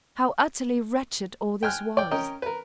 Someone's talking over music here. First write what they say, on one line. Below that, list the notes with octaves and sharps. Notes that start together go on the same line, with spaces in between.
How utterly wretched all this was.
G5 G#5 F6 F#6
D5 G5
C#4 A#4 D#5 G5
A#4 B4